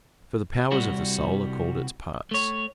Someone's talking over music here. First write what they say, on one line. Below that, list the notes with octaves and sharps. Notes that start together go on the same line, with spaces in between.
For the powers of the soul are called its parts.
C2 G3 F#4
A3 C#5